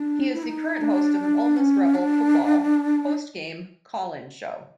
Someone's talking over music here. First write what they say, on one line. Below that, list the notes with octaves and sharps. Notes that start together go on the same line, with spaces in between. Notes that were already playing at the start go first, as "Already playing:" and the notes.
He is the current host of an Ole Miss Rebel football post-game call-in show.
Already playing: D4
E4
D#4
D4
C#4
D4